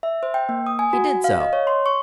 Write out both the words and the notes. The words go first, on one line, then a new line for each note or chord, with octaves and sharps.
He did so.
E5
C5
G5
A#3
D#6
G#5
F#4
F5
D#5
C#5
C6
C#6